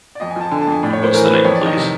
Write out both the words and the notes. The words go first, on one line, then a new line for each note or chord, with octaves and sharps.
What's the name, please?
D5
F2 D#5
G#5
F3 A5
D3 G#5
A5
F2 G#5
A2 D5
C#5
A2 C5
E3 A#4
B4
E3
C5
F2 C#5
D5
D#3 D#5
C3